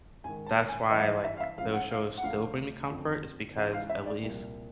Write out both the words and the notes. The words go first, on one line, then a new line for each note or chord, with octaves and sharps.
that's why, like, those shows still bring me comfort is because at least
G#2 D#3 G#5
A5
G#5
G2 E3 D#5
E5
D#5
E5
F5
E5
C#2 C#3 F3 F5
F#5
F5
F#5
D2 D3 F3 F5
F2 D3 F3
C#2 C#3 E3 F5
F5
E5
D5
C2 A#2 F3